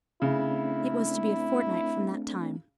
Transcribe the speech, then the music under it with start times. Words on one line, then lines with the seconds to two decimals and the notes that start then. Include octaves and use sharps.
It was to be a fortnight from that time.
0.22 C#3 A3 C4 D4 E4